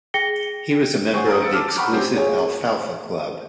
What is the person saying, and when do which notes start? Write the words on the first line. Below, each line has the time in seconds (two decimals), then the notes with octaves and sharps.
He was a member of the exclusive Alfalfa Club.
0.14 G#4 G5 A#6 C#7 G7
1.13 G#4 C5 C#5 F#5 G5 C#6
1.28 A#4 C5 F5 D#6
1.41 E6 A6 C#7 D7
1.53 A5 D6 F6
1.77 F#5 G5 A#5 B5 C#6
1.92 F#3 G3 C4 C#4
2.16 G#4 C#5